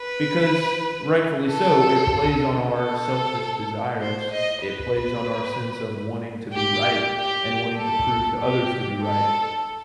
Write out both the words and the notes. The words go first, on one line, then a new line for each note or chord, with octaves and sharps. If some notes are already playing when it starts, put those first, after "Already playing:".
because, rightfully so, it plays on our selfish desires. It plays on our sense of wanting to be right and wanting to prove to others to be right
Already playing: B4
A4
A4
C5
D#5
B4
G4
G4
A4
G4
A4